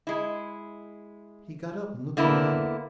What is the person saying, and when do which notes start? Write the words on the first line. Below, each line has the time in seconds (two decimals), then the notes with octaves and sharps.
He got up and looked about him.
0.07 G#3 E4
2.17 D3 A#3 B3 E4